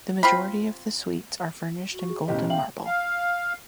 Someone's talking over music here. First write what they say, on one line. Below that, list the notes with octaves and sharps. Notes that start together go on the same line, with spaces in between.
The majority of the suites are furnished in gold and marble.
C4 F4 B5
F#4
G#4
E1 A2 C#4 G4 D#5
E5 F5 G5 F#7
F5